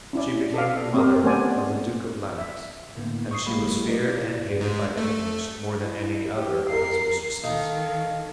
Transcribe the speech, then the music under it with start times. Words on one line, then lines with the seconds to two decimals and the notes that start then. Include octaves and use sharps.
She became the mother of the Duke of Lenox, and she was feared and hated by the English more than any other of his mistresses.
0.13 C#4 E4 D5
0.54 A4 D5 F5
0.94 C4 G4 A#4
1.24 A3 B3 C#4 C5 D5 G#5
2.38 E5
2.97 A2 D3 A#3 B3
3.31 C#6 D#6 C7
3.47 G1 F#3 G#3 A#3 G4 B5
3.87 A3 D#4 B4 D5
4.06 E4 F4 D5
4.61 G#2
4.97 A3
5.82 E4
6.37 G4
6.70 A#4 C7
7.44 D#3 D#4 A4 F5